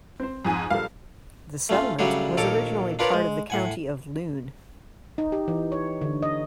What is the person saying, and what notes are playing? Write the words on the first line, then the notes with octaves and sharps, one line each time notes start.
The settlement was originally part of the County of Loon.
C4 C5
F2 G#2 G#5
A#1 G3 A4 F5
A3 C#4 F4
C#3 F#3 G3 A3 D4 C#5
A#1 D#2 A4 A#4 C#5 D6
D4 F4 A#4 B4 C#5 D5
G#3
A2 F#5 G#5
D#4
G4
E3
C#5
D3
D#5